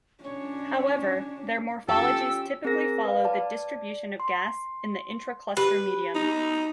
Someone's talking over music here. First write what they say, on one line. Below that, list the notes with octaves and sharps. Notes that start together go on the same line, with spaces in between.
However, their morphologies typically follow the distribution of gas in the intra-cluster medium.
C#4 D4 C#5
C#4 F4 G4 A4 E6
C4 G#4 A#4 A#6
B4 F5
D5 A5
C6
G4 B4
D#4